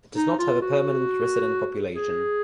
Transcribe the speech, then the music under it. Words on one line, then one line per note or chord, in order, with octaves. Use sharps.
It does not have a permanent resident population.
D#4
F4
F#4
G#4